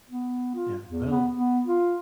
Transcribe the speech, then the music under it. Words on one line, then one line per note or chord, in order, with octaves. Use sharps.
Yeah, well
B3
F4
E2
B3
B3
F4